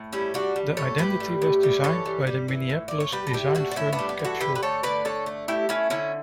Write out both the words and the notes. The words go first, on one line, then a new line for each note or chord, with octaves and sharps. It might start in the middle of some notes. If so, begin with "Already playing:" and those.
The identity was designed by the Minneapolis design firm Capsule.
Already playing: A2
G3 C#4 E4
G3 D4 F#4
G3
A2 A4 C#5
A2 G4 B4
G3
A2
G3
E3 A4 C#5
G3
G3
E3
A2
A2 D5
C#5
G3 G4 B4
A4
G3 E4 G4
A2 D4 F#4
D4
A2 C#4 E4
B3 D4
G3
B3
E3
F#4 A4
D3 G4 B4
B4
A3 A4 C#5
D3 B4 D5
D3 A4 C#5
A3
A3 E4 G4
A3 C#4 E4
D3 C#4 E4